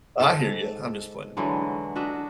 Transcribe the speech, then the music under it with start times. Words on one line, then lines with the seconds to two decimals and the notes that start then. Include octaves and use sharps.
I hear ya, I'm just playing.
0.20 G#2 A4
1.37 D3 E3 F#3 G#3
1.95 D4 F#4 D#5 E5